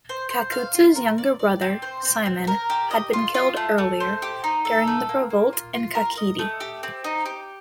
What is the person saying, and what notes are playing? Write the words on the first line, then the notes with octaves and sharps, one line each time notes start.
Kakutsa's younger brother, Simon, had been killed earlier, during the revolt in Kakheti.
C5
C5
F5
F4
A#4
D5
D5
C4
C5
C4
C4
A#4
G4
D#5
F4
F4
A3
A3
C5
G4
D#4
A4
A3
A#3
A#3
F4
F4
A#4
D#5
A3
G4
C4
D#4
G4